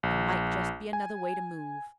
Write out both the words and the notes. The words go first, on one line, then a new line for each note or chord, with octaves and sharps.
There might just be another way to move.
A#1
G#5